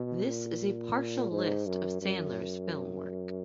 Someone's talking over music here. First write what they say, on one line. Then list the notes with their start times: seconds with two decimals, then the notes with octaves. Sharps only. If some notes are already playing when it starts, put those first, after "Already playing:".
This is a partial list of Sandler's film work.
Already playing: B2
0.26 A#2
1.31 G#2
1.66 F#2
2.01 F#2